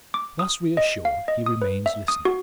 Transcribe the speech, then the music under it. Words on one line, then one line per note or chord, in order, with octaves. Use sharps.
Thus reassured he remains listening.
D6
D#6
D#5
F5
D#5
D#6
B4
E5
D#6
F#4